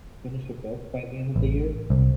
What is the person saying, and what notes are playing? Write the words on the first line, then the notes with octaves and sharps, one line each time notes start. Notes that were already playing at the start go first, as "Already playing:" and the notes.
finish a book by the end of the year
A1
C2